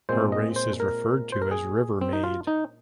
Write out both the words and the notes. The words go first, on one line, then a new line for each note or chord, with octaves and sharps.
Her race is referred to as "River-maid".
A#2 G#3 C4 C5
D#5
C5
A#4
C5
A#4
G#4
C4
D#4
F4
D#4